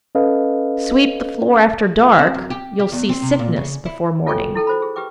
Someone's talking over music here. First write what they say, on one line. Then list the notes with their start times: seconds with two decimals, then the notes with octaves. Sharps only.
Sweep the floor after dark, you'll see sickness before morning.
0.15 C#4 A4 B4 D#5 F5
1.99 F4
2.19 C4
2.34 F#2
2.50 G4
2.79 G4
2.92 E2
3.09 C4
3.22 C3
3.39 A#2
3.56 C#3
3.85 E4
4.27 F4 A4 C#5 G5 G#5 C#6
4.55 E4 A4 G5 A5
4.67 F#4 C5 B5
4.82 G#4
4.96 G4 B4 G5 D6